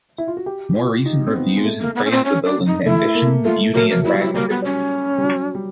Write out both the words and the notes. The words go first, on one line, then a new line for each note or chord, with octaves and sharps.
More recent reviews have praised the building's ambition, beauty, and pragmatism.
E4
F4
F#4
G4
F4
D#4
C4
B3
G#3
A3
A#3
B3
C#4
C4
C#4
D4
D#4
A3 E4
A#3
A3 F4
F#3 A#4
A#4
F#3 E4
G3
F#3 E4
G3 A#3
B3
C#4
G3
F#3
G3